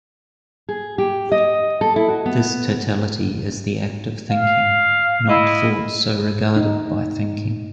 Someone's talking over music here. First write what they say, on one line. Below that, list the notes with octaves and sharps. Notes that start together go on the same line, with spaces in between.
This totality is the act of thinking, not thoughts so regarded by thinking.
G#4
G4
D#5
A4
E4
F#4
B3
F5
E4 D#5
D#4